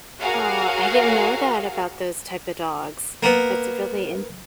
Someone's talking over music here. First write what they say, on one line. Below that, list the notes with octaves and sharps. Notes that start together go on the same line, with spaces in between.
Oh, I didn't know that about those type of dogs. That's really interesting.
F#4 G#4 A#4 C#5 F5 F#5
A#3 B3